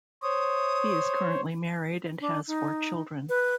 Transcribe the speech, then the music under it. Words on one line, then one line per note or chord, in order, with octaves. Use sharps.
He is currently married and has four children.
C5 C#5 D#6
D4
D#4
B4